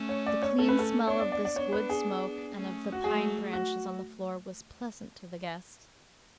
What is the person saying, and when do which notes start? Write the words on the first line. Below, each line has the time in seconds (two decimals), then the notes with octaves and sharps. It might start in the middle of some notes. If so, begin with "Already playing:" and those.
The clean smell of this wood-smoke and of the pine branches on the floor was pleasant to the guests.
Already playing: A3 C#4
0.09 C#5
0.26 D5
0.43 C#5
0.59 A3 C#4 A4
0.69 B4
0.79 A4
1.07 B3 D4 C#5
1.20 D5
1.32 D5
1.45 D5
1.56 B3 D4 C#5
1.73 B4
1.89 G#4
2.55 A3 C#4
2.92 F#4
3.04 F#3 A3 G#4
3.53 F#4